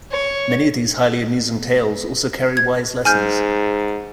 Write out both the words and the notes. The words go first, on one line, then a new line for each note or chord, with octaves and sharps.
Many of these highly amusing tales also carry wise lessons.
C#5
G#6
G#2 G#5 F6 G6